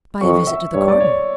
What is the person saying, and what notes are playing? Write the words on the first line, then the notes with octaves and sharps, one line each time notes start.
"By a visit to the cardinal."
F2 C#6
E5
G2 C#5
D5
C#5